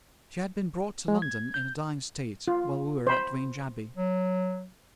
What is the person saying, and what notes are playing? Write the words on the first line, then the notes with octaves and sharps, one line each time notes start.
She had been brought to London in a dying state while we were at Vange Abbey.
G#3
G#6
G6
F4
C5 B5
F#3